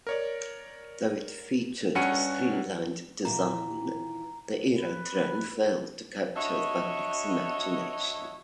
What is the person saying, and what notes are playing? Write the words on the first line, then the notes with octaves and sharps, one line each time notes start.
Though it featured a streamlined design, the "Aerotrain" failed to capture the public's imagination.
A#4 C#5 D5
G2 C#4 F#4 F#5 C#7 D#7
A#2 D#3 E3 A#5
B4
D4 F#4 C#5 D#5 E5